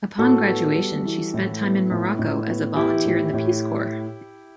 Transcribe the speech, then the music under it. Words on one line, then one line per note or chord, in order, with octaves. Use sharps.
Upon graduation she spent time in Morocco as a volunteer in the Peace Corps.
A2 F#4 A4
B3
G3
E3
A2
B3
A2
A2
B3
E3 E4 G4
A2
A2